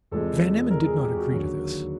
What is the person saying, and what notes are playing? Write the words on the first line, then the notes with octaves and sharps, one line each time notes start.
Van Emmon did not agree to this.
E2 C3 F3 G#3 A4
A#4
G#4
G4
F#4
D#2 D3 F#3 F#4